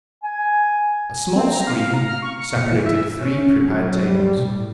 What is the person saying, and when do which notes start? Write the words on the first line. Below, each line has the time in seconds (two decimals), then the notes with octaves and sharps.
A small screen separated three prepared tables.
0.23 G#5
1.35 C4
1.52 A#5
1.67 F5
1.94 A#5
2.08 F6
2.22 C#6
2.40 C#7
2.56 A#2
2.71 E3
2.86 E5
3.20 C#4
3.62 F#3
4.07 G3
4.39 A2